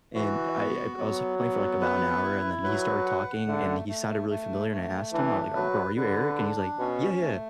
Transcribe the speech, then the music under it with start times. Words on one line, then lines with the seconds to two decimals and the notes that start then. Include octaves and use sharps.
and I I I was playing for, like, about an hour and then he started talking and he sounded really familiar and I asked him, I'm like "Bro, are you Eric," And he's like, "Yeah, yeah,"
0.14 E3 F#4
0.57 B3
0.97 F#3 B3
1.39 B3
1.81 B4
2.23 E4
2.64 F#3 B4
3.06 F#5
3.47 D3 A3
3.88 A3
4.29 A3
4.71 A3
5.12 E3 D4
5.54 F#3 B4
5.96 D3 B4
6.37 D4
6.79 B2 C#4
7.20 A3